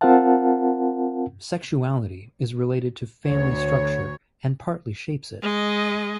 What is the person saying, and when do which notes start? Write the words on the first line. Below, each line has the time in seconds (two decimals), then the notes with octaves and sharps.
Sexuality is related to family structure and partly shapes it.
0.01 C4 F4 A#4 F5 F#5 A5
3.25 D2 C#5
5.42 G#3 D#5